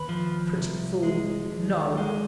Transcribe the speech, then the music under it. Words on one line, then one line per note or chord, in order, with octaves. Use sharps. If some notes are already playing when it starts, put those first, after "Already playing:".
Pretty fool--no!
Already playing: D#2 B4
F3
C2
G#3
D#2
G#3